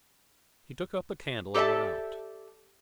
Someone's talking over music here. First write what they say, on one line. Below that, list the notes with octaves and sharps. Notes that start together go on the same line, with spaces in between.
He took up the candle and went out.
G4 A4 D5 E5 A5